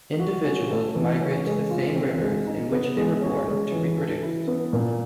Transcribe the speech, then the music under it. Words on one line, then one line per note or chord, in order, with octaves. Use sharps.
Individuals migrate to the same rivers in which they were born to reproduce.
F#4
C#4
A3
E3
C#4
G#3
F4
C4
G#3
D#4
B3
G#3
C#4
G#3
E3
A4
E4
B3
A#2